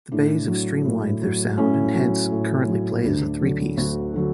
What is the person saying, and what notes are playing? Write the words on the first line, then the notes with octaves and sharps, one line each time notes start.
The Bays have streamlined their sound and hence, currently play as a three piece.
A2 D4
F#3
A2
F#3
A2 C#4
F#3
A2
F#3
D2 D4
D3 F#3
D2 F#4
D3 F#3